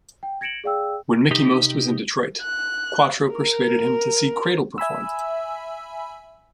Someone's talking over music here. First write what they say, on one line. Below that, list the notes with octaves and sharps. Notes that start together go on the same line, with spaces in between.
When Mickie Most was in Detroit, Quatro persuaded him to see Cradle perform.
G5
G#6 A#6 C#7 D7 E7 F#7
G#4 D5 F5 G5 E6
C3 D#4 G4
F#6
A#4
E5 G#5 B5 E6